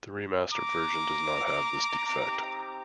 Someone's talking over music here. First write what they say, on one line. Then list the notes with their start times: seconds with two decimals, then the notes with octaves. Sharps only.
The remastered version does not have this defect.
0.53 A#5 D6
2.09 C4 D#4 G4